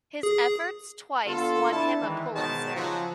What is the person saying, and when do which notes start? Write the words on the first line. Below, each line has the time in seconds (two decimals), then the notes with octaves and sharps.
His efforts twice won him a Pulitzer.
0.23 G#4
1.25 D3 B3 F4 A4
1.71 D4 E4 A5
2.01 D#3 E3 G#3
2.34 G#2 B2 D#3 G#3 C#5 A5
2.75 C#3 F3 F#3